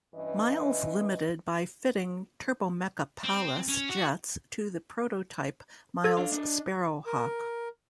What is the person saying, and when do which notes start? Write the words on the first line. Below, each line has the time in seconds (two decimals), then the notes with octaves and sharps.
Miles Limited by fitting Turbomeca Palas jets to the prototype Miles Sparrowhawk.
0.14 G2 E3 C#4 D#5
3.24 C4
3.69 C#4
3.89 F#4
6.04 A4 G#6
6.17 D4 F5
6.32 D4 D#5
7.06 A#4